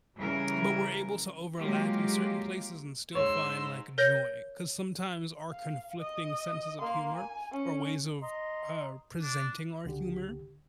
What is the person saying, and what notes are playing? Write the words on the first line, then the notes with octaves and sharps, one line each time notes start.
but we're able to overlap in certain places and still find, like, joy. 'Cause sometimes our conflicting senses of humor or ways of, er, presenting our humor
C#3 E3 G3 G#4 A#4
F#3 G#3 A#3 F4 G4
G#2 C#5 C6 E6
A#4 C#5 G6 A#6 G7
F5
D#5
A#3 C6
G#5
C#4
D#5 A#5 C6
D4
C#2 D3 G4